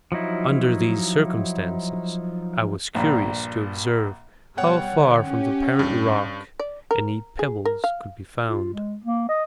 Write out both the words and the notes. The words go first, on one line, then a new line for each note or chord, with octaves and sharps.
Under these circumstances I was curious to observe how far from the parent rock any pebbles could be found.
F3 F#3 D#4 E4
A#1 G2 A#2
B2 G3 C#5 F#5 G5
D3
C#4 G4
G2
D5
A#4
G#4
A#4
F5
F4
G#3
A#3
D#5